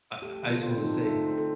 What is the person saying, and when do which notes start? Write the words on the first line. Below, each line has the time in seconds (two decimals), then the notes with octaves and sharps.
I I I just wanna say,
0.22 A3 G4
0.43 D3
0.50 F4
0.64 C4
0.78 D#4
0.85 D3
0.94 F4
1.05 A3 D#4
1.26 C4
1.38 A4